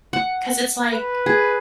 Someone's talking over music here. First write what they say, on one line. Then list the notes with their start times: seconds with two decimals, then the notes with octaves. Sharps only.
'cause it's like
0.13 F#5
0.92 B4
1.26 G#4